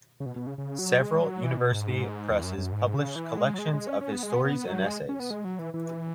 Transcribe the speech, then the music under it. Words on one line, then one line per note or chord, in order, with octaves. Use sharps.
Several university presses published collections of his stories and essays.
C#3
B2
B2
C#3
C#3
F#3
G#3
F#3
E3
B2
G#2
E2
F#2
F#2
G#2
C#3
E3
G#3
F#3
G#3
G#3
C#4
C#4
B3
G#3
B3
B3
F#3
G#3
C#4
B3
G#3
F#3
E3
E3